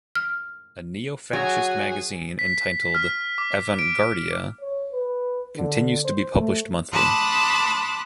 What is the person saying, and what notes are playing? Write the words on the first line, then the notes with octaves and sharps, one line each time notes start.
A neofascist magazine entitled "Avanguardia" continues to be published monthly.
F6
F#3 F#4 G#4 G#5
B6
F6
D6
D7
C#5
B4
D3
C5
A3
A5 B5 C6 D6 D#6 F#6